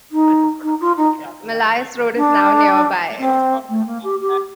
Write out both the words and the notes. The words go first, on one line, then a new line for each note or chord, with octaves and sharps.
Millais Road is now nearby.
D#4
D#4
F4
D#4
D4
C4
A3
A#3
G4
G4